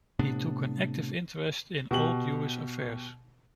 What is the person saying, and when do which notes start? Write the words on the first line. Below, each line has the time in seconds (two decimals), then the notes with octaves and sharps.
He took an active interest in all Jewish affairs.
0.19 A2 C3 B3 D4
1.91 B2 G4 F#7